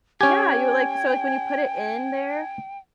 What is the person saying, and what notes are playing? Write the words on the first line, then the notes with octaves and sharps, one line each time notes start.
Yeah, you like, so, like, when you put it in there,
C#4 G4 G5 G#5 G#6